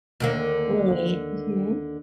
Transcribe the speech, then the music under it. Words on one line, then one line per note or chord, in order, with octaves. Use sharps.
Right. Mhm.
D#2 D3 A#3